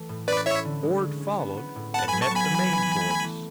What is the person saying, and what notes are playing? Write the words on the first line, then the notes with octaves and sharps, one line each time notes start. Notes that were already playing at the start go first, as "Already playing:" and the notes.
Ord followed and met the main force.
Already playing: E3 A3
A2
C#4 B4 D5
E4 C#5 E5
D3
G#3
C#4
C#4
B3
B3
A2
B3 F#5 A5
F#3 G#5 B5
A5 C#6
B3 G#5 B5
E3
E3
E3
A3
E3